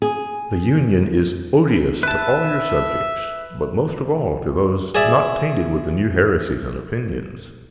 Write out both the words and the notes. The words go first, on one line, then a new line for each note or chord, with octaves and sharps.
The union is odious to all your subjects, but most of all to those not tainted with the new heresies and opinions.
G#4
B4 E5 A5
G#4 D5 E5